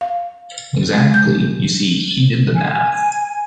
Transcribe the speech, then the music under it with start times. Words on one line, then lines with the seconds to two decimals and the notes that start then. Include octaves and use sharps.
Exactly, you see, he did the math.
0.01 F5
0.94 G#3
1.14 G6
2.55 G#5